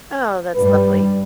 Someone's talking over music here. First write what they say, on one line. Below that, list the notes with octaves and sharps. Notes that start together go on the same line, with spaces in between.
Oh, that's lovely.
G2 G3 B4